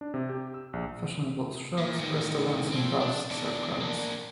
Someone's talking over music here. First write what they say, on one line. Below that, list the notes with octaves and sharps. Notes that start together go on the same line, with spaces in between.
Fashionable shops, restaurants and bars serve crowds.
D4
C3
G4
E6
A#1
A#2
A2 D#3
F3 C4
D4
E2 D4
A#3 D4